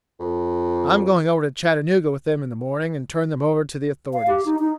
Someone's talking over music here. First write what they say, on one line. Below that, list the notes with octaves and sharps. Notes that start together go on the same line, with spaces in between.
I'm going over to Chattanooga with them in the morning and turn them over to the authorities.
F2
F5
G4
D#4
D#4